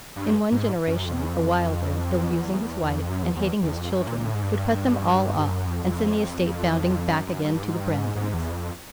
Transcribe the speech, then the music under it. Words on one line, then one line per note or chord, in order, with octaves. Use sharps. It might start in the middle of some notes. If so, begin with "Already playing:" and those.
In one generation, a Wylder ill-using his wife and hating his children, would cut them all off, and send the estate bounding back again to the Brandons.
G2
G#2
F#2
F2
E2
F2
E2
E2
F2
F#2
E2
E2
E2
F2
F#2
A#2
A2
G#2
G2
G2
F#2
F2
F2
F#2
F#2
G2
G#2
G2
G#2
G#2
E2
F2